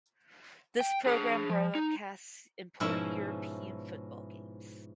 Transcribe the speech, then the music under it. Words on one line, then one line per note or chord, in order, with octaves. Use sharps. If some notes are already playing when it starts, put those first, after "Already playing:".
This program broadcasts important European football games.
G5
D4 G#4
F3
D#4
G#2 B2 F3 C#4 E4 E5